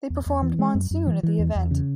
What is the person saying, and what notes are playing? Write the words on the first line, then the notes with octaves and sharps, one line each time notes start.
They performed "Monsoon" at the event.
E2
E2
E3
G#3
F#2
F#2
E3
E3
E2
E2
C#3